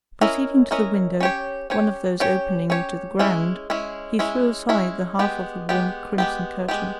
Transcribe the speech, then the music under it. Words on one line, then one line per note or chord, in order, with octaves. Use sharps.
Proceeding to the window, one of those opening to the ground, he threw aside the half of the warm crimson curtain.
C#4 E4 A#4 D#5
C#4 E4 A#4 D#5
C#4 G4 C#5
C#4 G4 C#5
C#4 G4 C#5
C#4 G4 C#5
G#3 C#4 E4
G#3 C#4 E4
G#3 C#4 E4
G#3 C#4 E4
G#3 B3 G4
G#3 B3 G4
G#3 B3 G4
G#3 B3 G4